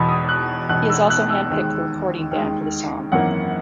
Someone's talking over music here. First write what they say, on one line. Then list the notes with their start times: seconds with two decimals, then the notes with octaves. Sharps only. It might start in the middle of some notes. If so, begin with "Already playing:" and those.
He also hand-picked the recording band for the song.
Already playing: E1 E2 B2 B5
0.09 D#6
0.29 F#6
0.69 E1 E2 B2 F#6
0.90 E6
1.10 F#6
1.30 E6
1.50 D#2 D#3 G#3
2.31 D#2 D#3 G#3
3.12 G#1 F#2 E3 A#3 F#5